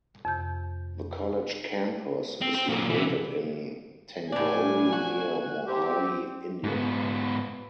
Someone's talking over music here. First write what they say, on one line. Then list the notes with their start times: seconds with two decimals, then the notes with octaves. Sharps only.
The college campus is located in Tangori, near Mohali, India.
0.25 F2 C3 G6
2.41 C4
2.55 C4
2.69 A#2 F#3
2.89 C3 E3
4.32 A2 D4 G#5
4.92 F#4
5.67 C4 G4
6.64 G#2 B3